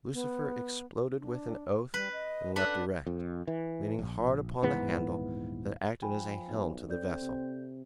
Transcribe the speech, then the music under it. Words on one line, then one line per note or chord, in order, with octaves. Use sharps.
Lucifer exploded with an oath and leapt erect, leaning hard upon the handle that acted as a helm to the vessel.
B3
D4
G3 B4
D#5
D4 A4 B4 F#5
F2
E3
A#1
D#1 G#2 E3 B3
F3 G5 G#5 B5
B1
C4 A4 D5 G6
C3